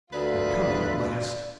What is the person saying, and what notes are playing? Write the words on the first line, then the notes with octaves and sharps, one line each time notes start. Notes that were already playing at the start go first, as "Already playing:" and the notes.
'They're coming at last.'
D2 D3 F4 B4 D5